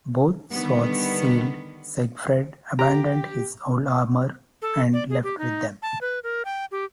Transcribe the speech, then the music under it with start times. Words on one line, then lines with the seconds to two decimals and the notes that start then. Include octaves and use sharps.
Both swords sealed, Siegfried abandoned his old armor and left with them.
0.50 D3 D#3 G3 B3
2.79 G4 A#5
4.62 A4
4.93 D5
5.10 G#4
5.23 G4
5.38 D#4
5.82 A5
6.01 B4
6.24 A#4
6.45 G5
6.71 G4